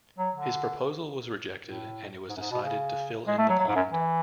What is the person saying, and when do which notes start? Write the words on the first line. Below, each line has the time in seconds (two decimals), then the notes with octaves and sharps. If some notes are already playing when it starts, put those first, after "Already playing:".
His proposal was rejected and it was decided to fill in the pond.
0.18 F#3
0.35 D3
1.64 A2
2.30 G#2
2.37 F#2
2.40 G#2
2.51 B2
2.62 C#3
3.27 G#3
3.38 A3
3.49 F#3
3.60 F#3
3.68 G#2
3.75 F#2
3.92 E3